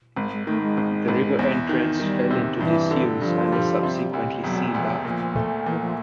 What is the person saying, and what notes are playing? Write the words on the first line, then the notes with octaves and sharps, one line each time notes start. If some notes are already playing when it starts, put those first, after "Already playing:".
The river entrance fell into disuse and was subsequently sealed up.
G#1 G#3
G#3
D#3 A3
G#3
G#1
G#1
E2
D#3
D#3 G3
C3
G2 E3
D3
G2 F3
G3
C3
D2
E1 F#3
D2 F3
A#2 F3
A3
A#2 E3
F3